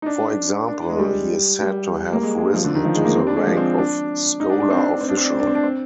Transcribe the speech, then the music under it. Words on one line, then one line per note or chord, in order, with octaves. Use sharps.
For example, he is said to have risen to the rank of scholar-official.
D#4
D4
D4
G#3
G3
G3
A#3
G#3
G#3
F3
D3
D#3
F3
G#3
A#3
C4
D4
G#3
F3
C4
D4
D#4
D4
D4
C4
D4
C4
D4
C4
D4
C4
D4
C4
D4
C4
D4
C4